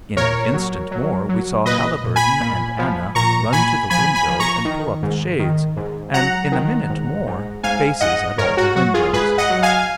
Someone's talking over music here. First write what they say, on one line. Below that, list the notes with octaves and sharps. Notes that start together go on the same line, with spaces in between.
In an instant more we saw Haliburton and Anna run to the window and pull up the shades, and, in a minute more, faces at all the windows.
A#2 A#4 C#5
F#3
F#3
F#3
A#2 B4 D#5
A#2
G#5 B5
A#2
F3
A#2 A#5 C#6
A#2 G#5 B5
F3 G#5 B5
G#5 B5
F3
A#5 C#6
D#3
G#2
D#3
G#2
F#3 F#5 A#5
D#3
G#2
G#2
G#2 F5 G#5
G#2 D#5 F#5
G#2 A#4 C#5
F#4
F#3 F#4
F4 G#4
G#2 G#4 B4
D#5 F#5
F#3
F5 G#5